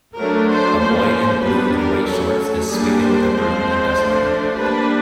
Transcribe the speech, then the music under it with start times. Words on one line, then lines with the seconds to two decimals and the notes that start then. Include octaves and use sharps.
A boy in blue and white shorts is sweeping with a broom and dustpan.
0.17 F#3 A3 D4 A#4
0.50 C5
0.81 F3 A#3 C#4 C5
1.44 G3 B3 D4 B4
1.75 A#4
2.07 F#3 A3 C#4 A4
2.70 G3 A#3 D4 G#4
3.01 C5
3.33 F3 G#3 C4
3.95 F3 A3 D4
4.58 G3 A#3 D4 B4